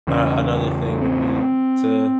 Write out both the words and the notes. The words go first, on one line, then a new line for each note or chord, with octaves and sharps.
uh, another thing would be to,
E2 C#3 C#4
C4